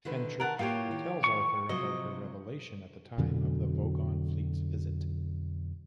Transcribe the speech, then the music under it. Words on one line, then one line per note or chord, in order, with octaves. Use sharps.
Fenchurch tells Arthur about her revelation at the time of the Vogon fleet's visit.
D3 D#3 B4
D#3 A#4 F#5 A5
A2 A#3 F4 G4 C#5
D#3
C#6
C3 F3 F#3 D#5
F2 B2 D3 F#3